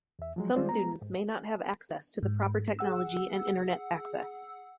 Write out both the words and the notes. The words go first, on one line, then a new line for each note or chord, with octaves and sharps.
Some students may not have access to the proper technology and internet access.
E2 E5
F3 F#3 G#3
D#3 G3 G#3 F4 C5 D5
G#3 B3 A#5
G#2
G#2
G#4 F#5 E6